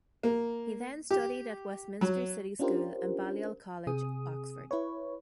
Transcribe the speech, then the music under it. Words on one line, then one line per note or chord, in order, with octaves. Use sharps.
He then studied at Westminster City School and Balliol College, Oxford.
A#3
G4
F#3
C#4 D4 F4 G4 A#4 C5
C3 G#4 D#6
E4 B4 C#5